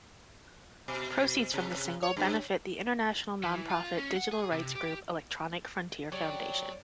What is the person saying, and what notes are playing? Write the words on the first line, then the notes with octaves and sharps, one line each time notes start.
Proceeds from the single benefit the international non-profit digital rights group Electronic Frontier Foundation.
B2
C3
C#5
G2
E3
F4
C#4
F#5
G#4
C3
G4
F#3 G4 C#5 D5